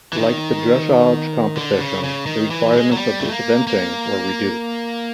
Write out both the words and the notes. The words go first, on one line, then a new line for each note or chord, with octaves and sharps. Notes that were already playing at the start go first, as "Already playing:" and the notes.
Like the dressage competition, the requirements of the eventing were reduced.
E3
D#3
D3
C#3
C#3
D#3
E3
G#3
F#3
G3
A3
A#3
A#3